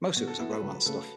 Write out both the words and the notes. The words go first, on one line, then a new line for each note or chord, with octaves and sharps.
Most of it was the romance stuff.
B2 F#4
A4
B3 E4 A4
B4
C#2 B4
B4
C#3 A3 C#4 A4